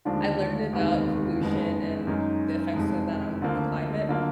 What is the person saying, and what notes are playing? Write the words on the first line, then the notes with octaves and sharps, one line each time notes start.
I learned about pollution and the effects of that on the climate
D#2 D3 F3 G#3 D4
F1 D#2 D#3 G#3 B3
F#1 F2 D#3 G#3 B3
F#2 D#3 G#3 D#4
F1 F2 D#3 G#3
D2 D3 F3 A#3
D3 F#3 A#3 F4